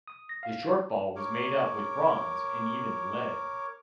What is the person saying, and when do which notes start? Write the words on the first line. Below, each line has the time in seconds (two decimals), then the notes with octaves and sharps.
The shortfall was made up with bronze and even lead.
0.08 D#6
0.29 A#6
0.43 F5
1.16 A#4 C#5 D6